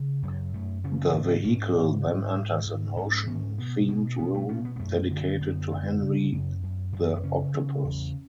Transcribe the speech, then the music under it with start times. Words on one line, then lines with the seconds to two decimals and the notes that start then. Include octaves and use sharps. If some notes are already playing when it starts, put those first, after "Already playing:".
The vehicle then enters an ocean themed room dedicated to Henry the Octopus.
Already playing: C#3
0.23 F#2 F#3
0.54 F#2 A3
0.84 C#3 C#4
1.14 G#2 D4
1.44 G#2 C#4
1.75 G#2
2.06 G#2
2.35 G#2
2.66 G#2
2.97 G#2 C#4
3.27 G#2 C#4
3.58 B2 B3
3.88 B2
4.19 B2 B3
4.35 A3
4.49 B2 C#4
4.65 B3
4.76 B3
4.80 F#2 A3
5.10 D3
5.40 F#2 B3
5.71 D3
6.02 C#3
6.33 F#2
6.63 F#2
6.93 F#2
7.16 B3
7.23 C#3 C#4
7.55 C#3
7.85 E2